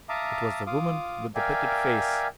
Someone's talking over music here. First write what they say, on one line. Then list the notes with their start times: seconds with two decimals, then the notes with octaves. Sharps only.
It was the woman with the pitted face.
0.09 E5 F5 A5 A#5 D6 D#6
0.66 F4 F5 D6 D#6
1.35 A#4 D5 E5 F5 G5 G#5